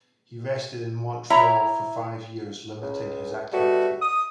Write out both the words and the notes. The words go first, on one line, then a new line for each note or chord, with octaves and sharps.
He rested in Montreal for five years, limiting his activity.
E4 C#5 E5 A#5
C#2
B2 G3 A3 F#4
D#6